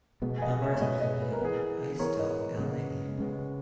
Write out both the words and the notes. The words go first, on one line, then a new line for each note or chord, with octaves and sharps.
Members included Ice Dog, L. A.
B2 G#3 B3
G#5
D#5 F#5
C#5 E5
C#5
B2 G#3 B3 B4 D#5
B4 D#5
B4
A#4
E3 B3 G#4 B4
E3 B3 A#4 C#5
B4 D#5
C#3 G#3 B3
C#3 G#3 B3